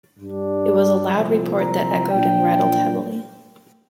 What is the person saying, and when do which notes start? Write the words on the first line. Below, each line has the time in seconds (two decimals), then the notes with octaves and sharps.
It was a loud report that echoed and rattled heavily.
0.18 G2 G3 D4
1.13 C2 A#2 F3 C4
1.60 A#5
2.09 A#2 F3 D4 G5